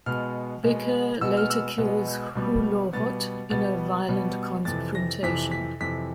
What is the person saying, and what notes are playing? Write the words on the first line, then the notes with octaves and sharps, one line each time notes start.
Becker later kills Hulohot in a violent confrontation.
B2 G#3 B3 F6
B2 G#3 B3
B2 G#3 B3 E6
F6
E6
B2 G#3 B3
B2 G3 B3
B2 G3 B3 A6
B2 G3 B3 A6
B2 G3 B3
F2 C3 E3 A6
A#6
F2 C3 E3 B6
B6
F2 C3 E3 B6